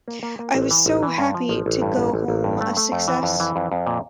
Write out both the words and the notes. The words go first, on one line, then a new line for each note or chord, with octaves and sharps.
I was so happy to go home a success.
A#3
A#3
A#3
A1
E3
A1
E3
G2
F3
A1
A1
G2
A1
A1
A1
G2
A3
A3
F2
E3
F2
E3
F2
F2
A#2